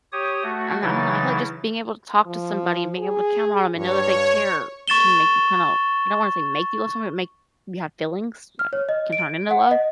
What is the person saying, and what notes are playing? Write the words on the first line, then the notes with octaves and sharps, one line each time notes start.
And I don't know, I feel like just being able to talk to somebody and being able to count on them and know that they care can make you kind of I don't wanna say make you love someone, but make you have feelings that can turn into love.
G4 C#5 D#6
A3 F#4
C#3 E3 F#3 D#4 E4 A6
F3
G#4
G2 C#5
C#6 A6 E7 G7
F6
C#5
D#5
D7
F#5
D#5